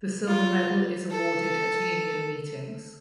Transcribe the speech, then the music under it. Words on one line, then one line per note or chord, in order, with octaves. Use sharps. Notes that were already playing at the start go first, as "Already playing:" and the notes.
The silver medal is awarded at union meetings.
F4
A4